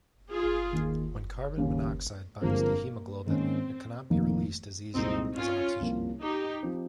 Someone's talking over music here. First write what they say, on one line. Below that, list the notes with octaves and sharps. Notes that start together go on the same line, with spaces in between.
When carbon monoxide binds to hemoglobin, it cannot be released as easily as oxygen.
F4 G#4
D#2 D#3 A#3
D#2 C#3 G3 A#3 C#4
G1 G2 F3 G#3 A#3 C4
G#2 D#3 A#3 C4 C#4
F1 F2 D#3 A#3 D#4
C2 A#2 G#3 C4 D#4
C#4 F4
C2 C3 F3 A#3
D#4 G4
F3 C4